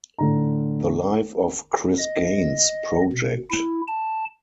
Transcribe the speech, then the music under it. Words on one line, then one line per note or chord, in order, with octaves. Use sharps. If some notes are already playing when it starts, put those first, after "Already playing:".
The Life of Chris Gaines project.
A2 D3 A#5
D#5
B2
E4
A5